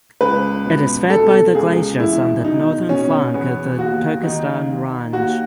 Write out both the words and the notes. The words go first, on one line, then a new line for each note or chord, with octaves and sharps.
It is fed by the glaciers on the northern flank of the Turkestan Range.
C#2 B4
B2
B2 A4
C#2 G#4
E2 E4
B2 D#4
B2 C#4
E2 B3
D#2 F#4
D#3 D#4
D#3
D#2 F#4